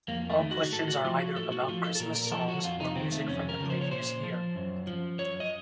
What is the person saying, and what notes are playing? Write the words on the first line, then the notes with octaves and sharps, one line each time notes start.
All questions are either about Christmas songs, or music from the previous year.
F2 A#3
A3
D#3
F#4
A2 A4
F#4
F3 F4
F#4
A2 A4
F#4
F3 F4
A4
A4
A#2 A#4
A#4
A#4
F3 A4
F#4
F2 F4
D#4
C3 D#3 C4
A3
F2 C#4
A#4
C#3 F3
C5
C#5
A#2 C5
F3
F#2
F3
F#2 C#5
D#5